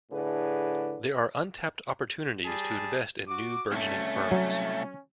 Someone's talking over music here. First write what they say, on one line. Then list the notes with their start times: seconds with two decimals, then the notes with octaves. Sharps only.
There are untapped opportunities to invest in new burgeoning firms.
0.12 A2 D3 E4 G#4 B4
2.45 G3 G#4 A5
3.28 F#4 D6
3.72 C2 A3 C#4
4.31 F#3